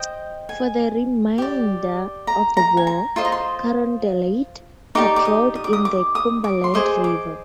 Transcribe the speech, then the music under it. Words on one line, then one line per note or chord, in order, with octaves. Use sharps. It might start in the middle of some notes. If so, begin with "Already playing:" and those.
For the remainder of the war, "Carondelet" patrolled in the Cumberland River.
Already playing: C5 D#5 G5
G#5
G4 D5
A#5
A#5
G#5
A#5
F4 C5 D#5 C6
A#5
C6
D#4 G4 D5 D6
D6
D#6
D#6
D6
D#6
D6
D#6
D6
C6
G#4 C5 D#5 D6
D6